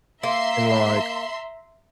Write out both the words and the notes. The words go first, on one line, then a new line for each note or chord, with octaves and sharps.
And like,
A#3 E5 A#5 C6